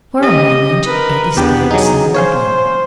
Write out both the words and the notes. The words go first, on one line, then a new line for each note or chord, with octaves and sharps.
For a moment Patty stared silently.
G4 D#5
A#4 B4
E2 B3 D4 G4 G5
F#3 D#4 G#4
C5 C#5 F5 G#5